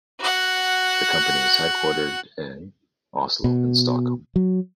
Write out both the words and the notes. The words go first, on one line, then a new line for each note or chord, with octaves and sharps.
The company is headquartered in Oslo and Stockholm.
F#4 F#5
B2
F#3